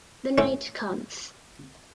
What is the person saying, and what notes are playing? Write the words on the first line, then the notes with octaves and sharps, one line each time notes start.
The night comes.
A2 C#4